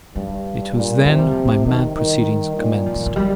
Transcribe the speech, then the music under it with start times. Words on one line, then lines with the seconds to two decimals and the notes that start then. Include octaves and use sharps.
It was then my mad proceedings commenced.
0.15 G2 G3
0.75 A#2
1.05 C3 A#3
1.19 G3
1.31 F3
1.45 G3
1.66 D#3 G3
1.95 D#3
2.56 A#2
2.86 F3
2.96 D#3
3.06 D#3
3.16 G3